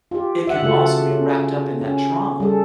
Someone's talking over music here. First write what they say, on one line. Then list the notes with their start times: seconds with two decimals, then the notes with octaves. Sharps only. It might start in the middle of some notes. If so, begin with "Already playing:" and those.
it can also be wrapped up in that trauma.
0.11 F4 G4
0.47 E5 F#5
0.62 C#3 A3 F4 F#4 A4
1.11 C#4
1.81 C#4
2.40 G3 G#4 A4